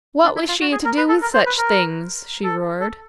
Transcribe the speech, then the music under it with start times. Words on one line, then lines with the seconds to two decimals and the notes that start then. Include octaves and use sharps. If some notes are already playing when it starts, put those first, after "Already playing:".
'What was SHE to do with such things?' she roared.
0.24 D4
0.36 E4
0.49 F4
0.61 F#4
0.72 G#4
0.85 A#4
0.98 B4
1.09 A4
1.22 A#4
1.35 C5
1.46 B4
1.58 A#4
2.44 A4
2.81 A4